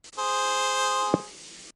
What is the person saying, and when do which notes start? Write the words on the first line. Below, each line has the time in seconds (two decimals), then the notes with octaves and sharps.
She’s laughing at me because i have soap on my face.
0.19 G#4 C5